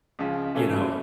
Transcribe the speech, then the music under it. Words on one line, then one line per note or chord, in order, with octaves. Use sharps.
you know,
C#2 C#3 F3
C#3 E3 A3 C#4 E4